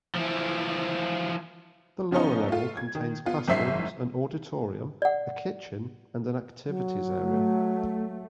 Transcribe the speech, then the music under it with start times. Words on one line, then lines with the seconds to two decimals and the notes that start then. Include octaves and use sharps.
The lower level contains classrooms, an auditorium, a kitchen and an activities area.
0.15 E3 F3
2.11 C#3 F3 B3 C#4 D#4
2.49 A3 F4
2.77 G#6
2.95 D#3
3.26 B3 F4
3.48 F#1 G#2 C5 E5 B6 C7
5.02 D5 F#5
6.67 F#3
7.18 A3